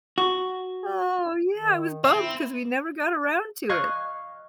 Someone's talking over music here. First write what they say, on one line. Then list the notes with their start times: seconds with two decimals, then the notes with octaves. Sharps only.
Oh, yeah, I was bummed because we never got around to it.
0.18 F#4
1.55 D#3
2.04 C4 E5
2.17 E4
3.69 D#5 F5 C#6 F6 F#6 G#6